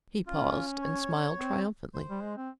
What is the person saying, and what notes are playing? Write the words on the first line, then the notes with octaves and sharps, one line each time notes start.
He paused and smiled triumphantly.
C#4 F4
C#5
C4
C5
G3
G#3
C4